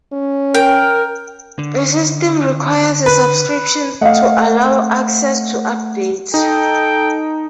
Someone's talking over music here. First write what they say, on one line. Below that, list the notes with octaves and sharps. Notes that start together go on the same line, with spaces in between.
The system requires a subscription to allow access to updates.
C#4
A#4 G5
D3
B4
A3 D#5 F5 F#5
D#4 A4 G5